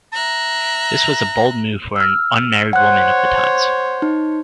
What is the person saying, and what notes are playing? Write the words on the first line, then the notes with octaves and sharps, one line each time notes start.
This was a bold move for an unmarried woman of the times.
E5 A#5 F#6
E6 F6
C5 C#5 F#5 F#6
D#4